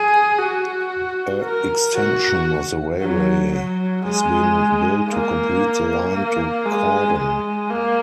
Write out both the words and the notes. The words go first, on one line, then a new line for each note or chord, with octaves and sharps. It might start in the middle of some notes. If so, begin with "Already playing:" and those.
A extension of the railway has been built to complete the line to Corwen.
Already playing: G#4
F#4
A#4
F#4
F#3
F#3
G#3
A#3
A#3
G#3
G#3
A#3